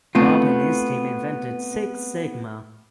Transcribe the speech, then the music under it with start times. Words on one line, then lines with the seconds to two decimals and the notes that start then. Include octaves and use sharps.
Bob and his team invented Six Sigma.
0.15 A3 B3 C4 F4